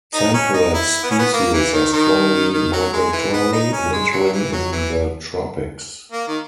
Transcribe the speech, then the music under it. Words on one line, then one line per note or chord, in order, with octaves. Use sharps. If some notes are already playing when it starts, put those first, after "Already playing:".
Temperate species are strongly migratory, wintering in the tropics.
D#4
C#4
D#4
E4
B3
C#4
B3
A#3
E3
D#3
D#3
D#3
F#3
G#3
E3
B3
D#4
C#4
G#3
F#3
E3
F#3
E3
A#3
D#3